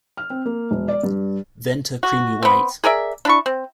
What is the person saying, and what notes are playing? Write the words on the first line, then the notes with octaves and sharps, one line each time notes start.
Venter creamy white.
F6
C4
A#3
E1
D5
G2
F#4
B3 C4
G#4 A#4 D5 E5
D4 E4 C#6
C4